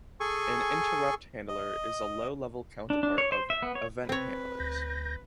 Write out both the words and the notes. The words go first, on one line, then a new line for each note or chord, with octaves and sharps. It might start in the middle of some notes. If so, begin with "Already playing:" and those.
An interrupt handler is a low-level counterpart of event handlers.
G#4 A4 G#5 C#6
D#5
D4
D4
C#5
C5
E5
B3
C#5
C4 B4 C#5
D2 G6 A#6